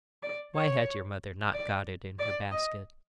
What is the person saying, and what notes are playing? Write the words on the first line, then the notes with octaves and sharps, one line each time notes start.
Why had your mother not got it in her basket?'
D5
C#5
D5
D5
D#5